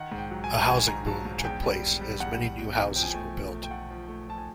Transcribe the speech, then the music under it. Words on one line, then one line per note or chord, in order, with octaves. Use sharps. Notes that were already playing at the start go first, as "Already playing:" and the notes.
A housing boom took place as many new houses were built.
Already playing: D#3 F#5
G#2
G5
F#3
G#5
A#1
D#3 G#5
G#2 A#5
F#3 A5
G#2
G#5
E2 G5
G3
G3
G3
E2 F#5
E2
B2
E2
F3 G5
G#5
A3 G5
F3
A3
G5
A3 F#5
F3
A3
F3 A5
G#5